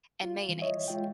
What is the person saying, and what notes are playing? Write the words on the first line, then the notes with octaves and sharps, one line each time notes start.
and mayonnaise.
F4
E3 G3
C#5 D#5 E5
G#3 F4 E5 G5